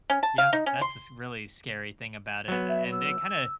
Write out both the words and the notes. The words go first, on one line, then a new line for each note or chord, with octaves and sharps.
Yeah, that's this really scary thing about it, uh, and it kinda
C#4
A5
F5
D#4
C#4
C6
F#3 B3
E5
E6